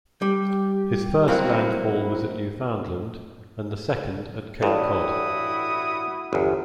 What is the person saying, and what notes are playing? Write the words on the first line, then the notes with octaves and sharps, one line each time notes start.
His first landfall was at Newfoundland and the second at Cape Cod.
G3 G4
F#3 A#3 C4 E4
A1 G2 E4 F#4 D#6
G1 E2